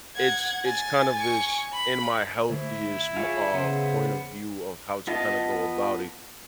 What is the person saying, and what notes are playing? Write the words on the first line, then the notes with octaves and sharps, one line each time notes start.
it's it's kind of this in my healthiest m uh, point of view of how to kinda go about it.
F#5 G#6
G#5 A6
G#5 C#6
B5
D3 A3 E4
F4 G#4 C#5
C#3 B3 C5
B3 F4 A4 D#5 A5